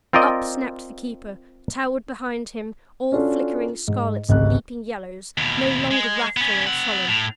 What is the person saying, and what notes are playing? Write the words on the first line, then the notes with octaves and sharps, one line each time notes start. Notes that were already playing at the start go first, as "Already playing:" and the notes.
Up snapped the Keeper; towered behind him, all flickering scarlets and leaping yellows--no longer wrathful or sullen.
C4 F4 A#4 D5 D#5
C#4 D4 F4 F#4 A4
G#2
G#1 C#2 C3 F#6
D#2 B2
G#3
B3 C#4
C4 F#5
A2